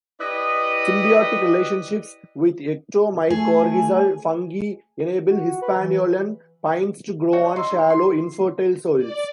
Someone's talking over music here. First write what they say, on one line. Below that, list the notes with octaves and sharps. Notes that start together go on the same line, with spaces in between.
Symbiotic relationships with ectomycorrhizal fungi enable Hispaniolan pines to grow on shallow, infertile soils.
E4 G4 B4 D5 D#5
A3 G#4 G#5
F#4
B4
E3
F#4 C#5 D5 E5
D5
D#5 A#5 C6 E6
D#4
C6
D5